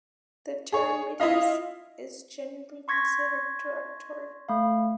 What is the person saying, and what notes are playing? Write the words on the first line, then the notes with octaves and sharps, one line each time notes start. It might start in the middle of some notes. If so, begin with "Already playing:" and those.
The term "middies" is generally considered derogatory.
G#4 C#5
E4 F4 D#5 F5
C6 C#6 G#6 A#6 B6
A3 F5